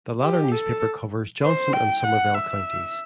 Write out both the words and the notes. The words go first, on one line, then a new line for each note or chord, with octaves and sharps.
The latter newspaper covers Johnson and Somervell counties.
G4
A4
C5
G5
F#5
E5